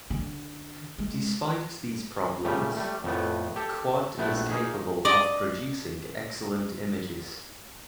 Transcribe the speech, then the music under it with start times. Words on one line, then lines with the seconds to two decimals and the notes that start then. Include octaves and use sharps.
Despite these problems, Quad is capable of producing excellent images.
0.10 D3
0.98 G#3
2.45 A#2 C#3 G3 A3 G4
2.77 G3 A3
3.04 F2 A2 A3 B3
3.56 G4 A4
4.18 A#1 A3 B3 E4 F#5
4.50 A#3 D#4 G#4
5.05 D5 D#5